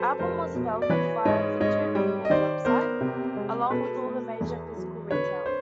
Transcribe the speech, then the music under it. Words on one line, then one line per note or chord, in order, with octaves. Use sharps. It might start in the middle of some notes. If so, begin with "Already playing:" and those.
Album was available via Victory Records website, along with all the major physical retailers.
Already playing: F#3 A4 B4 C5
F1 A#4 C5
B2
D5
E3 B4 C#5
G#2 C#5 D#5
G#2 C#5 D#5
G3
D#5
D#3 C5 D5
B3 A#4 C5
C3
G#3
B2 A4 B4
A3
E2
F#3
D3 B4 C#5
C5